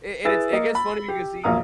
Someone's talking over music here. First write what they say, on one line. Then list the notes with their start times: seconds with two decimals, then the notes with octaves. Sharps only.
It it's it gets funny because he
0.25 E4 G#4 B4 E6 A6
0.53 A#3 D#5
0.75 B5
1.08 G4
1.44 E1 A#1 A#3 F5 A#5 D#6